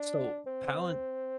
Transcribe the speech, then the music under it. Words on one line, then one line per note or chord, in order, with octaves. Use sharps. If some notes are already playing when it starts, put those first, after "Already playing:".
So, Palant
Already playing: D4
C4